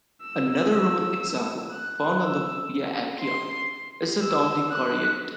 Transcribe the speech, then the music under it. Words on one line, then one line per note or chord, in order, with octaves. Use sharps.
Another Roman example, found on the Via Appia, is the Townley Caryatid.
E6
E6
F#6
E6
C6
E6
F#6